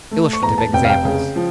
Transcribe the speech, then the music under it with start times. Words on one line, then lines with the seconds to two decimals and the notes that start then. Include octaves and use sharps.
Illustrative examples.
0.11 A3
0.33 C#6
0.42 E2 A#5
0.58 A5
0.73 F1 G5
0.85 F5
0.90 G5
1.05 C#3
1.36 F3